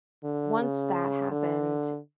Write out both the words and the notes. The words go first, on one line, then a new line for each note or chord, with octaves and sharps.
once that happened,
D3
C#3
D3